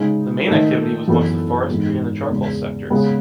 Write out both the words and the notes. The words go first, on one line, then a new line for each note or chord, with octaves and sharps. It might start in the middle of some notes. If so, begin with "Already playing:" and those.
The main activity was once the forestry and the charcoal sectors.
Already playing: C#3 G#3 D#4 G#4
D#3 A3 D#4 A4
F#2 E3 B3 F#4 A4
G#2 E3 B3 D#4
E2 C#3 G#3
C#3 G#3 B3